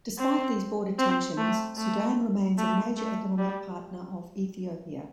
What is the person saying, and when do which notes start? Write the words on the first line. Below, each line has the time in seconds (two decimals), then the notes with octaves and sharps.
Despite these border tensions, Sudan remains a major economic partner of Ethiopia.
0.19 C4
0.99 C4
1.37 A3
1.78 A3
2.58 A3
2.97 A3
3.38 G3